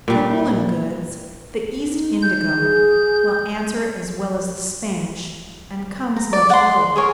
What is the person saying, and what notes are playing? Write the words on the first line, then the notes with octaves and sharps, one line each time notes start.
For woollen goods, the East indigo will answer as well as the Spanish, and comes much lower.
A#2 G3
D#4
G6
G#4
A#5
D5
F#5 C6
G#4 A#4 C#5